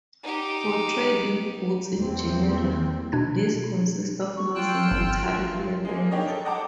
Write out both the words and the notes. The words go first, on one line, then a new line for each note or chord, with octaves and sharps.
For trade in goods in general, these consist of maximum tariff levels.
D#4 G4
E2 A#3 C4
B2 D4 G#6
C#6
F4 G5 E6 F#6
G1
G2
G#3 A#3
A#3 D4 D#4 G4 C#5 D#5
A4
D#5 F#5 G5 A5 A#5 D6